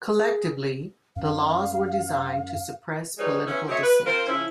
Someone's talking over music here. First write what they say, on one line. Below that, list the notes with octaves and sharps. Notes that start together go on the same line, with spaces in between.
Collectively, the laws were designed to suppress political dissent.
G#4
F#2 F5
F3 G3 G#3 D#4 B4 C#5
B3 C#4 E4
F#3 A3 C4 C#5 D#5 E5
B4
C4 F4 A#4 C5
C#3 F3 C#4 E4